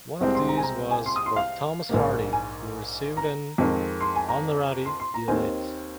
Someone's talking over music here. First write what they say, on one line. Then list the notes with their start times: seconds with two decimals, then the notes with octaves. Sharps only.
One of these was for Thomas Hardy who received an Honorary D. Litt.
0.21 C2 C3 G#3 C4
0.35 C6
0.48 A#5
0.57 G#5
0.63 A#5
0.91 G#5
1.06 C6
1.16 D#6
1.26 C6
1.36 F5
1.89 A#1 G#2 D#3 A#3
2.33 G#5
3.17 A#5
3.58 F2 D#3 G#3
4.01 C6
4.16 G#5
4.29 A#5
4.86 C6
5.00 C6
5.14 A#5
5.28 D#2 D#3 C4 G#5